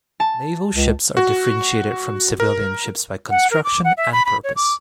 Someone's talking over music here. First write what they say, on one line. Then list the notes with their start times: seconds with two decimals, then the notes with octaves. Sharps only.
Naval ships are differentiated from civilian ships by construction and purpose.
0.20 A5
0.74 C#2
1.17 F#4
2.40 A#4
3.30 F#5
3.51 A#4
3.64 D6
3.84 F#5
3.97 E5
4.12 B5
4.25 B5
4.44 C#5
4.56 D6